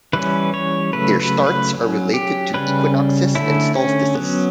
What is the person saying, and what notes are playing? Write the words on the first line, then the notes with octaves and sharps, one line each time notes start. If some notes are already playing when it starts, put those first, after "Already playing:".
Their starts are related to equinoxes and solstices.
E3 G3 C#4 B4
C#5
C#3 F#3 A3 B4
B4
B4
F#3 C#4
G4
C#3 G3 C#4 B4
D3 A3 C#4 E4
C#4
F#3 B3